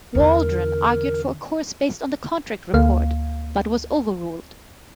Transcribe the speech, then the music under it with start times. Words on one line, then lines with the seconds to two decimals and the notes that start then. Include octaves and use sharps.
Waldron argued for a course based on the contact report, but was overruled.
0.15 E2 D3 A#4
2.74 D2 A#3 F5